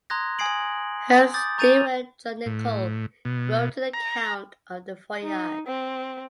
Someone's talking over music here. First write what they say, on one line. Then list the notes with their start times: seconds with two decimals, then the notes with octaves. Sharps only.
Her steward, John Nicol, wrote an account of the voyage.
0.10 A#5 C6 D#6 F#6 G#6 A#6
0.39 G#5 D#6 G#6 C7 D7 F#7
1.34 D6 D#6 G6 A6
1.58 A#5 C#6 G6 A6 D#7 F7
2.46 A2
3.25 B2
3.94 A#5
5.24 D#4
5.67 C4